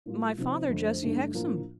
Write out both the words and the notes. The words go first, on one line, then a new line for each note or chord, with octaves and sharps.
'My father, Jesse Hexam.'
A2 G3 A#3 F4
C3 F3 C4 D#4
F2 D3 A3 C4
G2 D3 A3 D#4
A2 F3 A#3 D4 F4